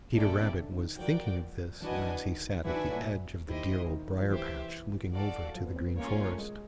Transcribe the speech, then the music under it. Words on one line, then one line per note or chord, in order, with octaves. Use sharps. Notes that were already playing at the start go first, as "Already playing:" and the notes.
Peter Rabbit was thinking of this as he sat at the edge of the dear Old Briar-patch, looking over to the Green Forest.
A2 C#4 E4 A4 D5 G5
A#2
B2
C#3
C3
D3
D#3
F3 F#4 A#4 D5 G5
E3 D4 F#4 B4 D#5 G#5
D#3
E3 D4 F#4 B4 E5 G#5
D#3
A2
A#2
D#3 E4 G4 C5 D#5
D#3
F3
E3 G4 C5 E5
F#4 A4 D5 F5
F3
B3
C4
B3
A#3 C#4 F4 A#4 C#5
A3
A#3
A3
G#3